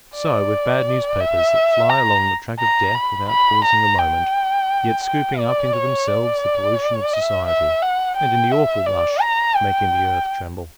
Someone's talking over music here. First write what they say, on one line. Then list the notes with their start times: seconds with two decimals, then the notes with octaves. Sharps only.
So with bad newspapers that fly along the track of death without pausing a moment, yet scooping up into themselves the pollution of society, and in the awful rush making the earth tremble.
0.16 D5
1.20 E5
1.90 A#5
2.60 A#5
2.95 B5
3.29 B5
3.64 A#5
3.99 G5
5.04 G5
5.38 D5
5.73 C#5
6.08 D5
7.13 E5
7.48 E5
7.82 F#5
8.17 G5
8.52 E5
8.86 D5
9.21 A#5
9.56 G5